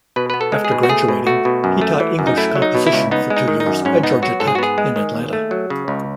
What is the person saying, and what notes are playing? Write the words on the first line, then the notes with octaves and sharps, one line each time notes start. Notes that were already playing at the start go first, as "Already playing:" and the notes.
After graduating, he taught English composition for two years at Georgia Tech in Atlanta.
B2 B4
B3 B4
A4
G#3
G#4
B2
F#4
A3 G#4
B2
A3 F#4
B2
F#2
A3
E3
F#2
D#4
A3 E4
F#3
D#4
B2
E4
C#2
B3 D#4
G#3
D#4
D#3
D#4
F#2
G#2 C#4
B3 D#4
F#3 F#4
G#2 A4
G#4
F#4
B3 G#4
G#3
D#3
D#2
A3
F#3
C#3
C#2